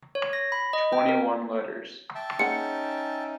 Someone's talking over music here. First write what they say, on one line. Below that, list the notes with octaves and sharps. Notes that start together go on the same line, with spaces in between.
Twenty-one letters.
C#5
A#6
B5
D#5
G5
A#4
E5 G5 A5
A#3 C#4 D#4 G#4 F#5 C#7